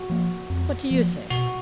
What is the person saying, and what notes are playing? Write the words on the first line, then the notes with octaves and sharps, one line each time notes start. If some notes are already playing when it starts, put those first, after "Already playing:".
What do you say?
Already playing: F#4
F3 A#3
F2
F3 A#3
B2 F#4